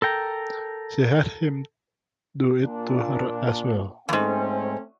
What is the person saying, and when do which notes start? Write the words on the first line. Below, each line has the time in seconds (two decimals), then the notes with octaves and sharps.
She had him do it to her as well.
0.02 A4 A#4 G5 A#5
2.62 A#2 D4
4.09 E2 G#2 A3 C4 C#4